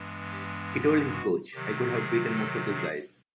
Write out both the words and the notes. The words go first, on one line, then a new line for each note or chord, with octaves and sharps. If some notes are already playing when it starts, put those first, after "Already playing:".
He told his coach, I could have beaten most of those guys.
Already playing: G2 E3 G#3 B3
G4
G4
F#4
C3 D#3 F#3 G4
G#4
A4
G#4